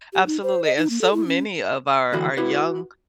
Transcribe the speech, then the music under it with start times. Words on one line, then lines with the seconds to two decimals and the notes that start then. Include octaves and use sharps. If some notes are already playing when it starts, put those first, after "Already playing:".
absolutely, and so many of our our young
0.13 G4
0.26 D#4
0.43 C5
0.64 D#5
0.77 D#4
0.90 A#3
1.01 A4
1.13 E4
1.27 C#4
2.12 D2 D3 E3 F#4 B5
2.37 E4 F#4 B4